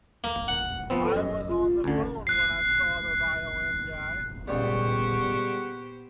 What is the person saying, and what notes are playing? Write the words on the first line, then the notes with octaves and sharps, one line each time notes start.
I was on the phone when I saw the violin guy.
A#3
F#5
F3 B3 C4
A4
F#2 D#5
F4
D2 D3 C#4
F#6 C7
C#2 A#2 G3 B3 G4 C5 F#5 C#6